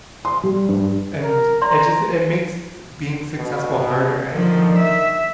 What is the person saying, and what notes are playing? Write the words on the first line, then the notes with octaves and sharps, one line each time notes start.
And it just it makes being successful harder, I think,
C6
G3
G2
A#4
D5 A#5 C6
B2
D3 D#3 F3
E5